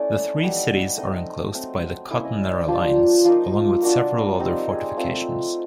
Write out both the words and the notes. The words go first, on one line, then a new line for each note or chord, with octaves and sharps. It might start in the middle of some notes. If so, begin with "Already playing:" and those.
The Three Cities are enclosed by the Cottonera Lines, along with several other fortifications.
Already playing: A3 C#4 E4 D5
G3 B3 E4 D#5
A3 C4 D#4 D#5
F#3 A3 C4
A#3 C#4 E4 E5
D#5
D5
C5
F3 A#3 D4 F4 G4
F3 A#3 D#4 F4
A#3 D4 F4 F#4
G3 C4 D#4 G4
G#4
A3 C4 F4